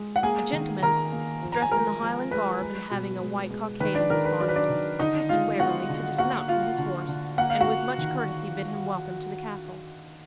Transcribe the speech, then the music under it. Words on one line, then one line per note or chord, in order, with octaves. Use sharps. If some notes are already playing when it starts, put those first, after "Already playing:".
A gentleman, dressed in the Highland garb and having a white cockade in his bonnet, assisted Waverley to dismount from his horse, and with much courtesy bid him welcome to the castle.
Already playing: G#3
F#5
A#3 G#4 G#5
D#3
D#3 A#4 A#5
A#3
F3
A#5
G#5
G#3 A#4 A#5
F3
G#3 B4
G#3
B2
G#3
G#3
D#3 B4
D4 D5
D#3 A#4
B4
F#3 D5
B4
D4 D5
D#3
D3 D#4 D#5
G#3 F4 F5
B3 F#4 F#5
D3
A#3 F#4 F#5
A#3 F4 F5
D3
D3
A#3 F#5
F5
F#4 F#5
A#3
D#3